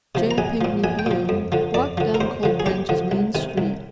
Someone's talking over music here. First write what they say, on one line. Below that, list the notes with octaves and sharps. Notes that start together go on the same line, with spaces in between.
J. Pinkney Bloom walked down Cold Branch's main street.
C3 F3
A#5
A#1 G#5
A#2 F3
A#1 G#5
G5
A#2 F3
F2
D3 F3
F2 D5
D3 F3
A#4
D#2 C5
D3 F3
G#4
D#2 G4
D3 F3
C2
C3 D#3
C2